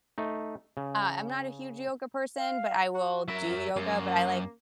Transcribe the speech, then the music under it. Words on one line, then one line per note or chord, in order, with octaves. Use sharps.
uh I'm not a huge yoga person, but I will do yoga, but I like
A3 D#4
C#3
F5
F#4
F#3 A#4 E5
F#2 A#3